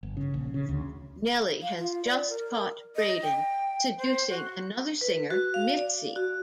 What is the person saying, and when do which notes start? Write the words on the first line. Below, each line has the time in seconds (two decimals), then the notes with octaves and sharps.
Nellie has just caught Braden seducing another singer, Mitzi.
0.03 G1
0.17 C#3
0.34 A#1
0.54 C#3
0.69 D2
1.62 F5
1.78 F4
2.05 D5
2.30 A#4
2.96 D#5
3.23 G5
3.98 C5
4.30 F#4
5.01 B4
5.30 F#4
5.54 F5
5.77 D5
6.16 F#4